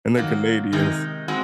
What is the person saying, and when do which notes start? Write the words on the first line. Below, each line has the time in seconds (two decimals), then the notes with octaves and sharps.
and they're Canadians.
0.17 D#3 F#3 A#3
0.72 C3 D#3 G#3 D#4
1.28 G#3 C4 F#4